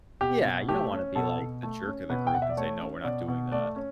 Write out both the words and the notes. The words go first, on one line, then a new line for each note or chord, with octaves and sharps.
Yeah, you don't wanna be like the jerk of the group and say, "No, we're not doing that."
B2 G4
B2
A3 G4
C#4
B2 A4
B2
A3
C#4
B2 B4
G5
B2 F#5
E5
D5
A3 C#5
C#4
B2 D5
B2
A3 D5
C#4